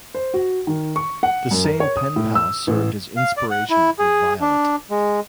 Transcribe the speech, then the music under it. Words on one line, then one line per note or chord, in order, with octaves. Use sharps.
The same pen pal served as inspiration for Violet.
C5
F#4
D#3
C#6
F#5
F#2
A#4
C#5
D#6
A2
E6
A1
F5
D5
F#5
E4
G#4
D4
G#3